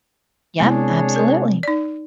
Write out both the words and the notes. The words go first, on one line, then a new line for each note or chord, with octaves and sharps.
Yep, absolutely.
C3 G#3 B3 D4 E4 G#4 C#5
A#4
D#4 D5